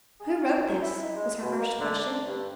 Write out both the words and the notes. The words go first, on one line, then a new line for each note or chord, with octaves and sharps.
"Who wrote this?" was her first question.
G#4
F#3
F#2
E4
D#4
G#3
B2
A#3
D3
D4
G2